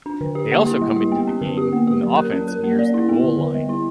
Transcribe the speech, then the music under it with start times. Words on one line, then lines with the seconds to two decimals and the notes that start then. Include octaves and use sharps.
They also come into the game when the offense nears the goal line.
0.06 D4
0.21 D3
0.35 G4
0.51 A#3
0.66 E4
0.81 G3
0.96 G4
1.12 B3
1.27 C#4
1.41 D3
1.57 G4
1.73 A#3
1.87 G4
2.03 F#3
2.17 A#4
2.32 C#4
2.48 A#4
2.63 A#3
2.79 D5
2.94 E4
3.09 B3
3.24 D3
3.39 D3
3.54 G3
3.69 E4